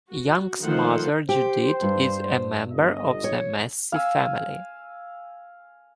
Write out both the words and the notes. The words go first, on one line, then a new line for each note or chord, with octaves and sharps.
Young's mother Judith is a member of the Massey family.
F#4
D#3 F3 A3 F4 C5 F#5
G4 C5
G2
G1 D#5
C#5
F5 G#5 E6